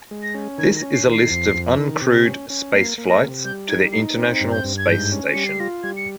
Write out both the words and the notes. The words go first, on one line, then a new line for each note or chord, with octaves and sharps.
This is a list of uncrewed spaceflights to the International Space Station.
G#3
A#6
C#4
D#3 G#6
A#6
C#4
C7
D#3
C7
F2
F2
D#3
C3
C#4
C#4
A#3 C7
A#3
A#6
C3
G3 G6
D#4 G#6
D#4 C7
C4
G2
G6
G2
G#6
G#2 G6
C#4
G3 C#7
C7
F4 A#6
G3 G#6
C#7